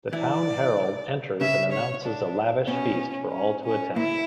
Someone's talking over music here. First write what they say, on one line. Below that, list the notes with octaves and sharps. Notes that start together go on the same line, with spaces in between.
The town Herald enters and announces a lavish feast for all to attend.
E3 E4 D5
C#3 C#4 E5
C#5
D4
B2 B3 C#4
C#4
C#4
A#2 A#3 E4